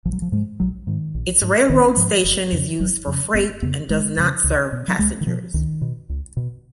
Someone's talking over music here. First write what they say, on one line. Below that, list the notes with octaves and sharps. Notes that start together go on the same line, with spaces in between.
Its railroad station is used for freight and does not serve passengers.
A#1 F3
F#3
F3
G#2 G#3
A#1 F#3
G#2 D#3
A#1
G#2
A#1 D#3
G#2 F3
F#1
F2 C#3
F#1 F#3
F2 C#3
F#1 B3
F2 C#3 B3
F#1 G#3
F2 C#3
C#2
B2
F#3
C#2 G#3
D#3
B2 F3
C#2 D#3
B2
C#2
B2